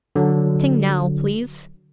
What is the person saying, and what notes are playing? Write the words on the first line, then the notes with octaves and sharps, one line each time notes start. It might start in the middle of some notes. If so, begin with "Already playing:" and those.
'Sing now, please.'
D3 F#3